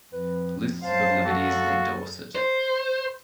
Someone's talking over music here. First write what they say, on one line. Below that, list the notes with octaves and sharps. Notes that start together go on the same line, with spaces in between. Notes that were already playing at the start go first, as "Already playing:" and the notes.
List of liberties in Dorset.
F2 B4
F#2 F#3 G#3 C5 F5 A5
F#4 A4
C5